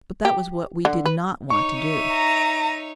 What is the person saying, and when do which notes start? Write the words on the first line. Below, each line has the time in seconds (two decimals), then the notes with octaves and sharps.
But that was what we did not want to do.
0.25 G4
0.85 D3
1.06 B4
1.50 D#4 C#5 C#6
1.80 E5 D#7
2.12 A#5